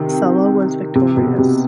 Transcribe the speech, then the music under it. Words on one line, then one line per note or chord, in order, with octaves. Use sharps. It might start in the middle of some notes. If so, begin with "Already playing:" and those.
Sulla was victorious.
Already playing: C3 D#3
C3
B2
C3